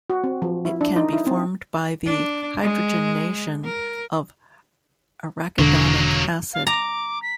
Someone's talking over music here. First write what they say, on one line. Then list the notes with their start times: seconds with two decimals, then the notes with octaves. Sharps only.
It can be formed by the hydrogenation of arachidonic acid.
0.10 F#4
0.24 C4
0.42 F3
0.65 E4
0.81 D4
0.96 D#4
1.13 E4
1.27 C4
2.06 D4
2.63 G#3
3.64 A#4
5.59 E1 D3 F#3 A#3
6.54 F5
6.67 A#5 D6
7.22 B6